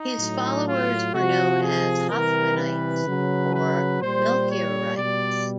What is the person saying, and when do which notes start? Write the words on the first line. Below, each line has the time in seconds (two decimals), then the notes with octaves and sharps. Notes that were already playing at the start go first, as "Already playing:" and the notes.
His followers were known as Hoffmanites or Melchiorites.
Already playing: D#4
0.19 A2 F#3
0.67 F4
1.14 C3 F3 F#4
1.63 G#4
2.10 C3 E3 G3 A#4
2.58 B4
3.06 C#3 F#3
3.54 B4
4.02 A#2 G3 C5
4.50 C#5
4.98 B2 G3 D5